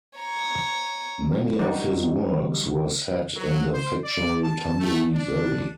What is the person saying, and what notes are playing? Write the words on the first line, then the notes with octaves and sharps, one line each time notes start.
Many of his works were set in the fictional Tumbleweed Valley.
C#5 A#5
G3 D4 D#4 F#4
F#3
C5
D5
A5
A3
D4